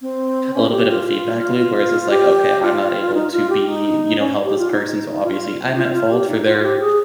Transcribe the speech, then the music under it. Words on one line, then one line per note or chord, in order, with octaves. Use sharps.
a little bit of a feedback loop, where it's just like, "Okay, I'm not able to be" you know, "help this person, so, obviously, I'm at fault for their
C4
C#4
G4
F4
F4
F4
G4
F4
D#4
F4
G4
D#4
C#4
G4
F4
D#4
F4
F4
F4
G4
D#4
F4
G4
G#4